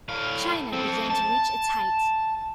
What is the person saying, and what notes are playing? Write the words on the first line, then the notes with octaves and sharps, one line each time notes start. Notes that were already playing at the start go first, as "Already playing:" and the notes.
China began to reach its height.
A2 F5
C4 A4
A5